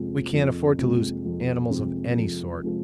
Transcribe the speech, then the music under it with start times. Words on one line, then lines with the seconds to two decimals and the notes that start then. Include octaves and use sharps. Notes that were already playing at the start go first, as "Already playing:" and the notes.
We can't afford to lose animals of any sort.
Already playing: F2 C3 F3 G#3
0.34 F2
0.78 C3 F3 G#3
1.25 F2
1.70 C3 F3 G#3
2.17 F2
2.63 C3 F3 G#3